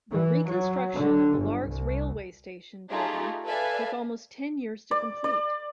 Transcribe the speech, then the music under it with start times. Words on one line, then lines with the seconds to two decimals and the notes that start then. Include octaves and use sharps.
The reconstruction of the Largs railway station building took almost ten years to complete.
0.12 E3
0.49 F#3
0.95 D3
1.38 G1
1.69 C2
2.89 A3 D#4 F4 G4 G#4
3.44 A4 B4 D5 E5 F5 G#5
4.91 D5
5.24 D5